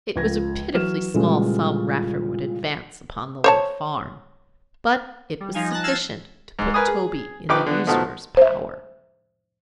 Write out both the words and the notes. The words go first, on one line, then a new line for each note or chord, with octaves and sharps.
It was a pitifully small sum Raffer would advance upon the little farm; but it was sufficient to put Toby in the usurer's power.
C#2 F3 G#6 A#6
E3 F#3 F6 E7
A#2 C#3 E3 G3 G#3 A4
C5 C#5 A5
G3
F3 D#4 F5 G#5
A5 F#6 A#6
E6 F6 G#6 A6 C7 E7
G#2
A#4 B4 G#5 D#6
G#4
A#1 D#4 B4 G5 D6
D3 B3
B2 F3 A3 D#4 F#4 A4
C5 E5